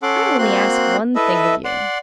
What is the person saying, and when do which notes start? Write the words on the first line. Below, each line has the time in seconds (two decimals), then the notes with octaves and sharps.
I only ask one thing of you.
0.03 C#4 A4 F#5 C6 D6
0.38 A#3 C4 F#4 C6 F#6
1.16 E4 A4 B4 D#5 E5
1.65 D5 F#5 C6